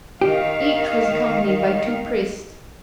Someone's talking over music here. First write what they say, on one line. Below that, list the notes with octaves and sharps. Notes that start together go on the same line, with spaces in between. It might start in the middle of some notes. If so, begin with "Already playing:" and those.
Each was accompanied by two priests.
D#3 G4 F5